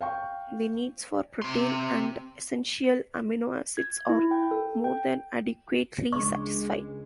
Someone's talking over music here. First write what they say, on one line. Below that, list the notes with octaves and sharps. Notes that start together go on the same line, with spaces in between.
The needs for protein and essential amino acids are more than adequately satisfied.
F5 G5 C#6
C3 C6
G#6
E4
G5
A4
G5
C#2 G#3 D4 G#4 C#6